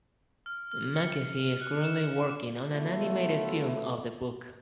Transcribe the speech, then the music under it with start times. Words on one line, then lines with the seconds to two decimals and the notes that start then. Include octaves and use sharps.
Mackesy is currently working on an animated film of the book.
0.46 F6
0.71 F6
0.96 C#7
1.61 F#6
1.84 E7
2.72 B2 F#3 A3 B3 E4 F4